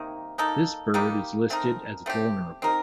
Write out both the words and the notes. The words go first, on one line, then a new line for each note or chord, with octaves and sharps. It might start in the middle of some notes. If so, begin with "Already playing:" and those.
This bird is listed as vulnerable.
Already playing: C3 D#3 A#3
A#3 D#4 A4
G3 A#3 D#4 G4
A3 C4 D#4 A#4
A3 C4 G4
C4 D#4 A#4